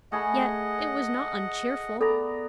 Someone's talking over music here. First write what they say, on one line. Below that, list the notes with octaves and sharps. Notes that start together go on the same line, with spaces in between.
Yet it was not uncheerful.
A3 G#4 D#5 F#5 B5
B3 A4 D5 A#5